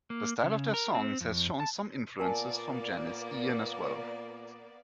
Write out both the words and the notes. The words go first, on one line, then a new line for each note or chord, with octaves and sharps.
The style of their songs has shown some influences from Janis Ian as well.
A#3
C#3
A#4
C4
F2
A5
A#2 A#3 B3 A#4 D5 G#5 A5